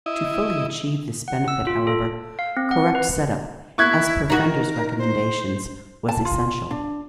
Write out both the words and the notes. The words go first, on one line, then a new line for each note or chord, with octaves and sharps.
To fully achieve this benefit however, correct setup, as per Fender's recommendations, was essential.
E4 D#5
F#5
E6
F4
A4
F5
C4
F#5
B4
E4 C#6 F#6 G#6
D#4 F#4 A#4
C5
A5
F4
D4